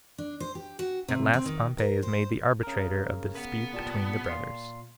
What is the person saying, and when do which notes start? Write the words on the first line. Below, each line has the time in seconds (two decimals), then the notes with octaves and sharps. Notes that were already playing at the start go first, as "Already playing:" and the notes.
At Last Pompey Is Made The Arbitrator Of The Dispute Between The Brothers.
0.18 D4
0.40 C5
0.55 G4
0.79 F#4
1.08 C3
1.33 C4
1.46 D#3
1.78 A#4
2.03 C5
2.63 C#3 A#4
3.35 B3 B4
3.73 A#2 G3 A5
4.28 A#2 F4 C7